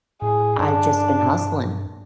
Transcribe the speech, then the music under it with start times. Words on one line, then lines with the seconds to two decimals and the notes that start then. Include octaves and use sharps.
I've just been hustling
0.22 A2 G#4
0.60 G2 D4